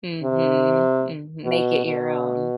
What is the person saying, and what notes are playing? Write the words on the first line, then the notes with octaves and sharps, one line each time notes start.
Mhm, mhm make it your own.
C3
B2
B2